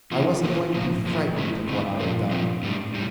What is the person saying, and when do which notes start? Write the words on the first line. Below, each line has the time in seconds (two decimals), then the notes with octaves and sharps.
I wasn't going to be frightened at what I had done.
0.12 E3 A#3 F4
0.44 E3 A#3 F4
0.74 A2 F3 A#3
1.05 A2 F3 A#3
1.37 D3 A3 C4 E4
1.69 D3 A3 C4 E4
2.00 A#2 F3 A3 C4
2.31 A#2 F3 A3 C4
2.63 A2 G3 D4
2.94 A2 G3